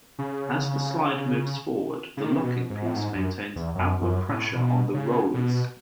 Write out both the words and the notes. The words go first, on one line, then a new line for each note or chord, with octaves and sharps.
As the slide moves forward, the locking piece maintains outward pressure on the rollers.
C#3
C#3
D#3
C#3
B2
G#2
A2
G#2
F#2
E2
F#2
F#2
A2
B2
C#3
B2